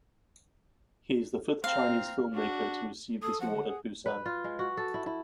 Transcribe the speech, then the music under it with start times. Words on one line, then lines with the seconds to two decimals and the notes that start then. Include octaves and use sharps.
He is the fifth Chinese filmmaker to receive this award at Busan.
1.64 C4 F5 A#5
2.33 D4 F#4
3.22 A4 D#6
3.41 F3 F#5
3.55 D3
3.67 G#4
4.06 B4
4.26 F4
4.44 G#3
4.59 F#4
4.77 A4
4.94 E4
5.06 E4